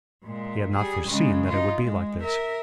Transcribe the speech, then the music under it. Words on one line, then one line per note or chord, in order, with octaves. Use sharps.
He had not foreseen that it would be like this.
A#2 G#3
G3 G#4
C#3 G#3
D#4 F4
G#3
A#4 E5